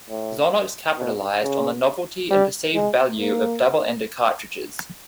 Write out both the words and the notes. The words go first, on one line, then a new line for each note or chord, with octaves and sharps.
Xonox capitalized on the novelty and perceived value of "double-ender" cartridges.
A2
B2
C#3
G3
G#3
A#3